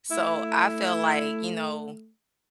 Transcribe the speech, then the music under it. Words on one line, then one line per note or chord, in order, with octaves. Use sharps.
So I felt like, you know,
A3 E4